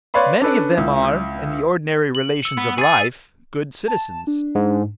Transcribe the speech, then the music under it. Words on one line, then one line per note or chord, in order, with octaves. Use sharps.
Many of them are, in the ordinary relations of life, good citizens.
B4 C#5 D5 F5 B5 C6
C#4 D4 A4 B4
C#2 E4
F#7
E6 C#7
B3
G#4 A6 D#7
A5
D4
G#2